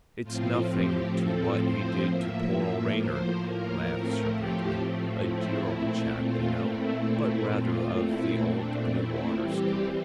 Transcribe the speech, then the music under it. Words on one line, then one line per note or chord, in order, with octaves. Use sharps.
"It's nothing to what he did to poor old Rayner," laughed Sir Bridgman. "A dear old chap, you know, but rather of the old blue-water school."
A2 F3 C4 F4
G4
A4
C5
A2 F3 A#3 E5
C5
A#4
A2 F3 A3 C4
G4
E4
A#2 A3 C4
F4
E4
E4
A#2 A3 C4 F4
E4
D4
E4
E3 G3 C4 G4